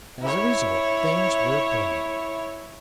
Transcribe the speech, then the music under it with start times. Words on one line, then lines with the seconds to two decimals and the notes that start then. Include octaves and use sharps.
As a result things were booming.
0.22 E4 C#5